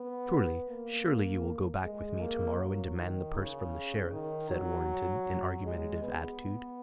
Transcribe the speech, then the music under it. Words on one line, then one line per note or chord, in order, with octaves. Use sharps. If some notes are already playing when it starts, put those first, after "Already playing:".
"Surely, surely, you will go back with me to-morrow and demand the purse from the Sheriff?" said Warrenton, in argumentative attitude.
Already playing: B3
A#3
G#3
A#3
F#3
D#3
C#3
D#3
F#3
G#3
B3